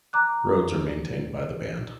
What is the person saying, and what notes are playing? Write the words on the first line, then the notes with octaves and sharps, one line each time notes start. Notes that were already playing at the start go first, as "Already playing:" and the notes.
Roads are maintained by the band.
A#5 D6 F#6